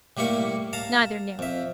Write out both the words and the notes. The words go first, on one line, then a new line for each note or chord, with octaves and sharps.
Neither knew.
A2 G3 A#3 E4 C#6
F5 A5 A#5
F2 E5